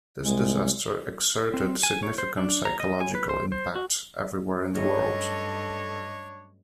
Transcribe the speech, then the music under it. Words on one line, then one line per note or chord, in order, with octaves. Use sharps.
This disaster exerted significant psychological impact everywhere in the world.
C2 G#3
C4
G#5
C#5
C5
D4
A#5
D#5
G#5
B4
C5
C5
F#4
G2 F#3 A3 C#4 D4 A4 C#5 D#5